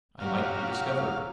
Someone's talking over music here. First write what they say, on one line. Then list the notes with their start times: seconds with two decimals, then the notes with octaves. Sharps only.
I might be discovered.
0.20 F#3 F#4 G4 F5